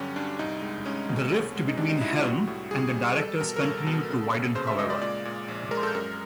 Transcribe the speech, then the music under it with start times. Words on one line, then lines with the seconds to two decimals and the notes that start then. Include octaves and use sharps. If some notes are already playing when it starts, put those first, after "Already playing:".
The rift between Helm and the directors continued to widen, however.
Already playing: G2 D3 F#3 C#4 G4
0.16 G2 D4
0.39 C2 D#4
0.62 G#3
0.86 G#3 C#4
1.09 B2
1.31 C2
1.55 G#3
1.68 D#4
1.77 C3 D4
1.90 D#4
2.01 C2 E4
2.13 F4
2.24 G3 F#4
2.47 A2
2.71 G3 G#4
2.94 G3
3.17 G3 A4
3.40 B2 A#4
3.56 A#4
3.63 C2 A4
3.87 B2
4.09 C#3
4.33 C#3
4.55 C#3 C5
4.67 E5
4.79 G#3 D#5
4.90 D5
5.01 A#2 D5
5.25 A#2
5.48 A#1
5.71 G#3 A#4
5.83 A4
5.95 F#2 A#4